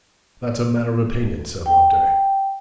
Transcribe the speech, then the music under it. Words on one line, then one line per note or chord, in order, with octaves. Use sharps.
'That's a matter of opinion,' said Loveday.
G5